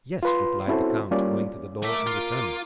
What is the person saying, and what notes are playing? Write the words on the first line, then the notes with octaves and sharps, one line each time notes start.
"Yes," replied the count, going to the door, and returning.
F4 B4 C6
C4 C#4 E4 F#4 A4 C5
G3 A#3 C#4 F4 D5
A3 A#3 E5 D6
F4